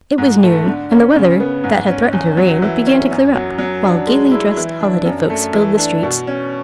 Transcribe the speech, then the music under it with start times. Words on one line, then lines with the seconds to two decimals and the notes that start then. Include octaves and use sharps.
It was noon; and the weather, that had threatened rain, began to clear up, while gaily dressed holiday folks filled the streets.
0.18 G#2
0.43 A3
0.67 D3
0.91 C#4
1.15 C#3
1.40 B3
1.64 G#2
1.88 C#4
2.13 E2
2.37 F#3
2.62 E3
2.87 C#4
3.11 F#2
3.35 F#3
3.58 F#3
3.83 D4
4.07 G#3
4.31 E4
4.57 E3
4.81 D4
5.05 F#2
5.30 A3
5.54 E3
5.77 D4
6.03 B2
6.27 C#4